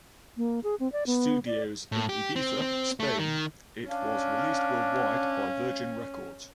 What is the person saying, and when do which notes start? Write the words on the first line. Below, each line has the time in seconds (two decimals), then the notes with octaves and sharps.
Studios in Ibiza, Spain, it was released worldwide by Virgin Records.
0.37 A#3
0.64 G#4
0.80 C4
0.92 D5
1.07 B3
1.46 D5
1.92 A2
2.09 G4
2.36 C4
2.62 C4
3.00 A3
3.19 D#3
3.89 C#4 D4 F5